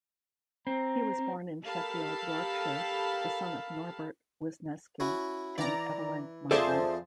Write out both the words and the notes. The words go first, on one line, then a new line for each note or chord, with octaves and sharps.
He was born in Sheffield, Yorkshire, the son of Norbert Wisniewski and Evelyn Mardlin.
C4 A#5
G4 A4 A#4 F5 A5 B5
C#4 E4 F#4
E3 D5 A#5
F2 F3 G#4 A4 C5 D5 E5 A5